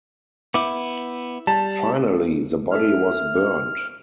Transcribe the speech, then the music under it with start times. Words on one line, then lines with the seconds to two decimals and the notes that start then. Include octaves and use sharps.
Finally, the body was burned.
0.54 B3 E4 D6
1.47 G3 A5
2.71 G#4 A4 E5 F6